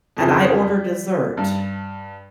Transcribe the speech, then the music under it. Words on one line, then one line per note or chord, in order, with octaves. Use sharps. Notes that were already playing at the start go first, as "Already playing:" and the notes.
and I order dessert
F2 C#3
G3
G2